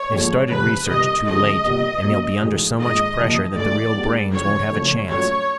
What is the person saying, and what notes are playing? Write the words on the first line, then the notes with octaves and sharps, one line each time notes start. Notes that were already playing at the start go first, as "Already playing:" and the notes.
They've started research too late and they'll be under so much pressure that the real brains won't have a chance.
Already playing: C#5
A#1 A2 F3 G#3
F1 E2 C3 F3 B4
C2 B2 G3 D#5
D2 C3 F3 G#3 C#4 D#5
C2 A#2 G3 B3
B2 F#3 A#3 C#4
B1 A2 E3 G#3
A#1 G#2 D#3 G#3 D#5
C2 A#2 F3 A#3
A1 A2 E3 A3 D4 D5
D#2 D#3 G#3 B3 D4
F2 C#3 E3 C#5
F#1 F#2 D3 F3 A3
A#1 A#2 F#3 A3 C#4 C#5